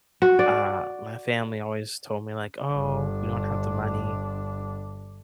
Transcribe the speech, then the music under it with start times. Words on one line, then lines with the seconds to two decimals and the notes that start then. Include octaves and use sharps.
uh, my family always told me like, "Oh, we don't have the money,"
0.22 F#4
0.39 D5
2.73 G1 D4